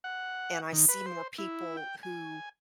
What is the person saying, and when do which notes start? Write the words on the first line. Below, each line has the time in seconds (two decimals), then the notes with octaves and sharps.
and I see more people who
0.04 F#5
0.73 D#3
0.89 B4
1.06 C5
1.38 E4
1.77 G5
2.03 G#5